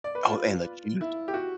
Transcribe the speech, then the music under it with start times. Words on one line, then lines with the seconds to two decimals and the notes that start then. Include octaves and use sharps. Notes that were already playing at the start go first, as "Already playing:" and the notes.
Oh, and the cheese.
0.04 D5
0.15 B4
0.26 F4
1.01 E4
1.28 G4
1.34 F#4